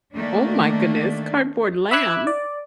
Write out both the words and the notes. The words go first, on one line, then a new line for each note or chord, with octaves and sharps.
Oh my goodness, Cardboard Lamb?
D#3 A3 A#3 D4
E5 B5 D6 E6 F#6 G#6
D5